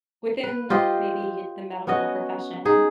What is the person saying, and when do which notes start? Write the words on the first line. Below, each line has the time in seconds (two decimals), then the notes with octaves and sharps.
within maybe the medical profession
0.43 B4
0.70 F4 G4 C5 D#5
1.87 B3 C#4 F#4 D#5
2.65 D#4 G#4